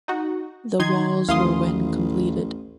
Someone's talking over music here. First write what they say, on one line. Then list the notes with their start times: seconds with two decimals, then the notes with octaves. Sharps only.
The walls were when completed.
0.08 D#4 F#4
0.79 D#3 D#4 C6 G#6
1.28 A1 D#2 E3 F5 C6 D#6